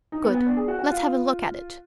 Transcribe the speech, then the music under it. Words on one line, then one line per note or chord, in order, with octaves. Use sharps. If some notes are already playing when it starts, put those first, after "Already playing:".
"Good; let's have a look at it."
D#4
B3
B3
D4
G#4
F#4
F#4
F4
F4